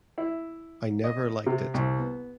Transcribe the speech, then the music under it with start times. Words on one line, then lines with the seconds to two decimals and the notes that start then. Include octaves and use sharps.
I never liked it.
0.18 E4
1.04 D#5
1.46 C3
1.74 C2
1.99 B3